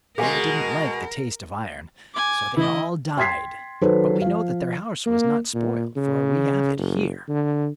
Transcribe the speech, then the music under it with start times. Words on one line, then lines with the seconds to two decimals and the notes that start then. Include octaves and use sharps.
They didn't like the taste of iron, so they all died; but we know that their house was not spoiled, for we have it here.
0.18 B2 G#3 G#4 A#4 F5 G#5
2.14 G#5 D6
2.57 E3 E4 D#5
3.17 G5 C6 G#6 B6 C7
3.81 D#3 F#3 A4 B4 C5
4.22 F3 F5
5.06 A#3
5.54 A#2
5.96 C#3
6.77 F#1
7.28 D3